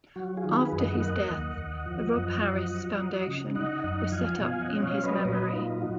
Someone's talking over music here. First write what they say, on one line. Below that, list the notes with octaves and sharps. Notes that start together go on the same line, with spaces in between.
After his death, the Rob Harris Foundation was set up in his memory.
F#3 F#4
F4 G#4
D#3
G#4 B4
F#2
D#5 F#5
A#3 D#5 F#5
D#2
D#2
F3
F#2
F3
F#3
F#3
C#3
D#4 D#5 F#5
F#2 D#5 F#5
F3 F5 G#5
F#5
B2 F5 G#5
D#5 F#5
C#4
C#5 F5
F#3
B4 D#5
A#2 B4 D#5
D#4 F4
F#3 F#4